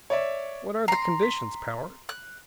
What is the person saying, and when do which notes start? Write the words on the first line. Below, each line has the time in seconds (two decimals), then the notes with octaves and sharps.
"What are the conditions, Powart?"
0.10 C#5 D5 E5
0.88 A#5 C6 C7
1.23 B6
2.09 F#6